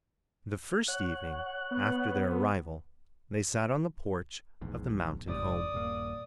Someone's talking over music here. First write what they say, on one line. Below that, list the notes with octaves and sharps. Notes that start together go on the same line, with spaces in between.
The first evening after their arrival they sat on the porch of the mountain home.
C#5 F#5 F#6
B3
A#1 E2 G#2
F1 G#2 C3 D5 D#6
D#1 G2 A#3